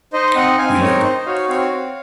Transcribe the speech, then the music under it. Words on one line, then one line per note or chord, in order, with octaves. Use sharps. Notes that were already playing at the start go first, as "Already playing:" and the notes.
We look.
D#4 C5 D#5
C4 D#5 F#5
C4 F5 G#5
D#4 A#4 C#5
D#4 C5 D#5
F#4 C#5 F5
C4 C#5 F5
C4